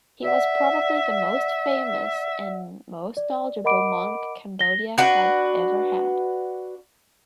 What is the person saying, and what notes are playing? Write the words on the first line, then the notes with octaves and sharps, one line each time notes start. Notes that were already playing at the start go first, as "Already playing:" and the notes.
He was probably the most famous and most knowledgeable monk Cambodia had ever had.
D5 E5 F#5
D5
A#4 D#5 F#5 B5 D6 D7
A#6 G7
D4 F#4 B4